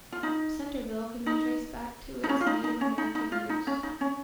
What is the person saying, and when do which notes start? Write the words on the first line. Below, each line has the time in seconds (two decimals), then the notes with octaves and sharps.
Centerville can be traced back to its native American roots.
0.12 F4
0.23 D#4
1.26 D#4
2.24 D#4
2.29 C#4
2.41 F4
2.47 D#4
2.64 D#4
2.81 C#4
2.98 D#4
3.15 D#4
3.32 F4
3.49 D#4
3.67 C#4
3.83 D#4
4.01 C#4